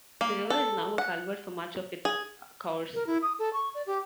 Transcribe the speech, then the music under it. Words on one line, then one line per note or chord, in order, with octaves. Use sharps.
The river is now a culvert for much of its cours.
A#3
A4
F#5
G#4
A#4
E4
D#6
A4
C#6
D5
G4